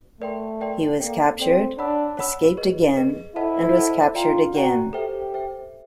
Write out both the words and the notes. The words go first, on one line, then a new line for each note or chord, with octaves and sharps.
He was captured, escaped again and was captured again.
A3 A#4 D5 G5 C6
A#4 D5 G5 C6
A#3 A4 D5 G5
C4 A4 D5 G5
D4 C#5 F#5 B5 E6
C#5 F#5 B5 E6
G#4 B4 D#5
G#4 B4 D#5
E4 A4 C5 D#5 F#5 A5
A4 C5 D#5 F#5 A5
F4 D5 G5 A#5
F#4 D5 G5 A#5
G4 A4 C5 E5 G5
A4 C5 E5 G5